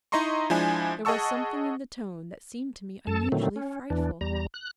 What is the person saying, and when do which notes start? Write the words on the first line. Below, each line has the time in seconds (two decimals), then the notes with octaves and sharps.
There was something in the tone that seemed to me unusually frightful.
0.12 D#4 E4 D#5 A#5 C6 C#6
0.50 F3 G#3 D4 E4 G#5
1.05 G#4 D#5 F#5 A5 C#6 E6
3.07 F#2 A4 A5
3.32 A#2 D3 D#3 F#3 A3 C4
3.56 C#4
3.90 E2 E3 D4
4.21 E2 G3 A#5
4.54 F#6